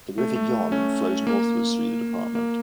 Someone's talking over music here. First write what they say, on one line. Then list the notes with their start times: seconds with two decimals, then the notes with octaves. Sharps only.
The River Yonne flows northwards through the department.
0.18 A3
0.36 A3
0.72 C#4
1.27 A#3
2.35 A#3